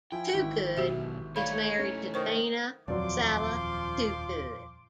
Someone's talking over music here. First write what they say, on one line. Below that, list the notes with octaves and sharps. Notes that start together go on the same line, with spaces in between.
Toogood is married to Dana Salih Toogood.
F3 E4 G5 G#5
G#1 E3
B1 B2 F#4 G4 E5
A3 D#4 C#5 D5 F5 B5
C#4 E4
D#3 C5 C#6
D#1 F2 F3 F#3 F4 D5 C6 D6